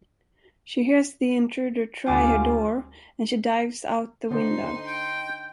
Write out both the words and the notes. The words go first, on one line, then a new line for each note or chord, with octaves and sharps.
She hears the intruder try her door, and she dives out the window.
D2 G3 F4 G#5 D6
D3 D#4 C5 C6
G5